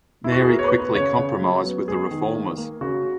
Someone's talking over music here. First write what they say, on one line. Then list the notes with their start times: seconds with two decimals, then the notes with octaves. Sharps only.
Mary quickly compromised with the reformers.
0.24 E4
0.32 F#4
0.41 G#4
0.48 B3 A#4
0.59 C#5
0.64 B4
0.71 B3
0.79 B4
0.95 C#3 C#5
1.18 C#3
1.41 F#3
1.64 B3
1.88 G#3 G#4
2.11 D#3
2.34 A#3
2.58 A#3
2.81 C#3 F#4